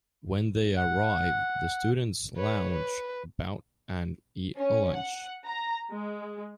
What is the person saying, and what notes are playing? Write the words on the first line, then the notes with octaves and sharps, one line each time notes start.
When they arrive, the students lounge about and eat a lunch.
F#5
B4 C#5
B4
C#4
F#5
A#5
G#3